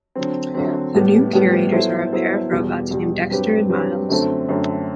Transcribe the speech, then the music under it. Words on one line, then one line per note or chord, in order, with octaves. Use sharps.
The new curators are a pair of robots named Dexter and Myles.
D3 F#3 C4
D3 F#3 C4
A2 G3 B3
A2 G3 B3
F#3 B3 E4 A4 C5
F#3 B3 E4 A4 C5
E2 B2 G3
E2 B2 G3
G2 F#3 C4 G4 B4
G2 F#3 C4 G4 B4
F#2 D3 A3 C4
F#2 D3 A3 C4